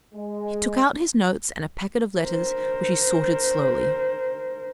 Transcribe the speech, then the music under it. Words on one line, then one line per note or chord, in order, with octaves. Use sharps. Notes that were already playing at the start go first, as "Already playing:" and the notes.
He took out his notes and a packet of letters, which he sorted slowly.
G#3
A#4 C5